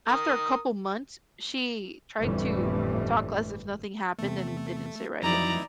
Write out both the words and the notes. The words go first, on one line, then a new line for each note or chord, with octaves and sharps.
after a couple months, she tried to talk as if nothing happened and didn't sit right with me.
A#4 D#6
G1 F2 A2 E3 G3 A3
E2 C3 A3
F2 E3 F#3 D#4 E4 D5 A#5